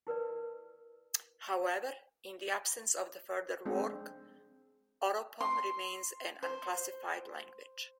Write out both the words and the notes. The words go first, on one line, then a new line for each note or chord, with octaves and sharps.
However, in the absence of further work, Oropom remains an unclassified language.
E4 A#4 B4 D5
G#3 C4 D4
C6
C5